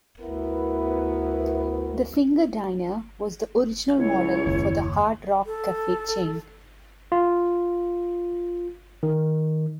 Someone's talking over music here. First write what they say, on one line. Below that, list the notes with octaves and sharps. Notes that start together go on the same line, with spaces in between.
The Finger Diner was the original model for the Hard Rock Cafe chain.
D2 B3 E4 A#4
C#2 E4 C#5
F#1 D#2
A4
F4
D#3